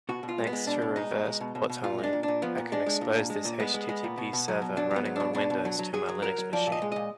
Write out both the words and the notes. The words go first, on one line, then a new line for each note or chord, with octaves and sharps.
Thanks to reverse port tunneling, I can expose this HTTP server running on Windows to my Linux machine.
B2 F#4
B2
F4
G#3
B3
G#3
B2 D4
B2
G#3 D#4
B2
G#3
B2
B2
B2
A#2 F4
G#3
D4
A#2
D4
A#2
F3 B3
A#2
G#3 D4
G#3
A#2
A#2
G#3
A#2
G#3 B3
G#3
G#3
A#2
B2
B2
F#3
B2
F#3 D4
F#3
B3
F#3
B2 D4
B2 D4
B2
F#3
F#3
F#3 G#4
F#3
F#3 A#4
F#3
F3 D5
A#2
D#5
G#3
A#2 D#5